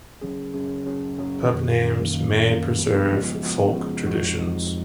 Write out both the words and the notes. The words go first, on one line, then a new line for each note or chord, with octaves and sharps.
Pub names may preserve folk traditions.
C#3 F#3 C#4 G#4
C#3 F#3 C#4 G#4
C#3 F#3 C#4 G#4
C#3 F#3 C#4 G#4
F#2 D#3 A#3
F#2 D#3 A#3
F#2 D#3 A#3
F#2 D#3 A#3
C#3 F3 G#3 B3 F#4
C#3 F3 G#3 B3 F#4
C#3 F3 G#3 B3 F#4
C#3 F3 G#3 B3 F#4
F2 F3 G#3 D#4 F#4
F2 F3 G#3 D#4 F#4